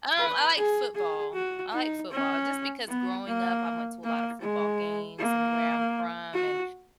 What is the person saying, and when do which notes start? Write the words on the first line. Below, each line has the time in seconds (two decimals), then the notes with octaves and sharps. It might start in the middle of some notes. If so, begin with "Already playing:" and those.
Um, I like football. I like football just because growing up, I went to a lotta football games, and where I'm from and,
0.18 B4
0.57 G#4
0.95 G#4
1.34 F#4
1.73 D#4
2.11 C#4
2.88 B3
3.27 A#3
4.04 A#3
4.41 G#3
5.18 A#3
6.34 F#4